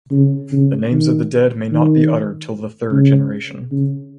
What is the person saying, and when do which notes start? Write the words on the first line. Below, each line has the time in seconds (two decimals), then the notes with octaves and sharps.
The names of the dead may not be uttered till the third generation.
0.11 C#3
0.52 C#3
0.92 D#3
1.71 D#3
2.91 C#3
3.71 C#3